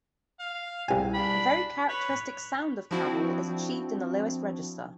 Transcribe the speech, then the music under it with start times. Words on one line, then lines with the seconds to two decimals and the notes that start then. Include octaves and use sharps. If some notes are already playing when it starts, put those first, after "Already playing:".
A very characteristic sound of kaval is achieved in the lowest register.
0.40 F5
0.89 C2 G#5
1.14 D4 B5
1.89 B4 C#5
2.91 F3 C4 D4 E4 F#4